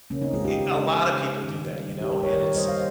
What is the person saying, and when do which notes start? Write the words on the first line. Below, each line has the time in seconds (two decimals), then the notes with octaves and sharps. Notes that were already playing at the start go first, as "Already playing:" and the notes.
e a lot of people do that, you know? And it's
0.10 C#3 A#3 C#4
0.22 C4 D#4
0.33 G#3 F4 G#4
0.44 D#4 G4
0.55 C#3
0.77 G#3
1.00 C#3
1.22 G#3
1.45 D#3
1.68 G3 A#3
1.89 D#3
2.01 D#4 G4
2.11 G3 A#3 G4 A#4
2.23 A#4 C#5
2.33 D#3 G4 A#4
2.56 G3 A#3 C5 D#5
2.68 F5